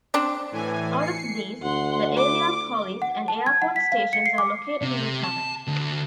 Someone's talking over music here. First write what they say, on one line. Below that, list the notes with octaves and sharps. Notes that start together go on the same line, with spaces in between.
Out of these, the Aviapolis and Airport stations are located in a tunnel.
C4 D4
A2 E3 G#5
C7 C#7
D2 F#5 C6
D6
F#5
A5
G#6
F#5
B6
F5
C#7
C7
D6
C3
A5
D2